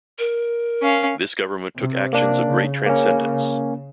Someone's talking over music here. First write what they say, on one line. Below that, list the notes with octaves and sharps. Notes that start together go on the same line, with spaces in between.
This government took actions of great transcendence.
A#4
C#4 F5
C3
A#3 D4
C#3
A#3 C#4